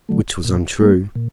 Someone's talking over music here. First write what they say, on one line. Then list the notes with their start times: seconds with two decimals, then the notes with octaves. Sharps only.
Which was untrue.
0.09 D3 F#3 A3
0.45 A#2
0.80 G3 A#3
1.15 A#2